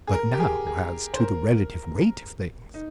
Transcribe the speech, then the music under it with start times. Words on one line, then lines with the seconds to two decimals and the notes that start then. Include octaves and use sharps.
But now as to the relative weight of things.
0.07 G#4
0.13 A#4
0.33 G4
0.40 G#4
0.67 G#4
1.14 C5
1.20 A#4
2.74 D#4